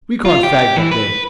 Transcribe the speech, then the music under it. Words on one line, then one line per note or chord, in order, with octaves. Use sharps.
We can't fag back there.'
F4
G4
E3
B4